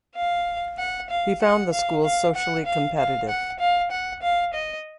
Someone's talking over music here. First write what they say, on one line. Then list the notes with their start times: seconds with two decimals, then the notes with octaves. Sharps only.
He found the school socially competitive.
0.16 F5
0.78 F#5
1.10 F5
1.41 F#5
1.73 F5
2.04 F5
2.35 F#5
2.66 F5
2.98 F5
3.29 F#5
3.59 F5
3.91 F#5
4.22 F5
4.54 D#5